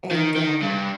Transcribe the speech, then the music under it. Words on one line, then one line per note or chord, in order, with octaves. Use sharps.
and, um
D#3
D#3
G2